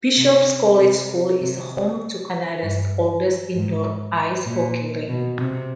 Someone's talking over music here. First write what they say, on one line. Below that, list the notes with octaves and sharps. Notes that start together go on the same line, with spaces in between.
Bishop's College School is home to Canada's oldest indoor ice hockey rink.
C3
C3
C3
G2
G#2
A#2
B2
C3